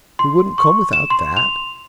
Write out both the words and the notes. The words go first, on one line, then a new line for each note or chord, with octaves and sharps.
'He wouldn't come without that?'
C6
C#6
E7
C6
F7